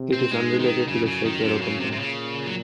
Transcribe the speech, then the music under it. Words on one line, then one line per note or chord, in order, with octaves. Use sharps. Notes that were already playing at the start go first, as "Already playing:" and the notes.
It is unrelated to the Czech Aero company.
Already playing: C3
C4
G#2 G#3
D#3
F#2 C#3
C#3
D#3
F#2 C3
C#3
C3
C3
A#2 C#3
F#3